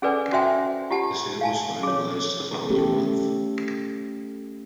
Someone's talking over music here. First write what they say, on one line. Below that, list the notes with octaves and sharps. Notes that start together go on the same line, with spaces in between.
The sale was finalized the following month.
C#4 G#4 A4 B4 D5 G#5
C#4 F#4 C5 E5 G5 G#5
F4 G4 F#5 A5
F5 G#5 A5
G#4 C#5
A3 C#4 G4 A4